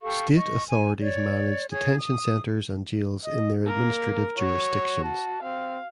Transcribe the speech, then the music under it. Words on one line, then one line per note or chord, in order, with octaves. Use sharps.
State authorities manage detention centers and jails in their administrative jurisdictions.
G4 A4 F5 C#6
D#5 C#6
G#5
C#5 D5
G#4 C#5
D#6
D#5
A#3 A#4
F#4 C#5
A5
C4 F5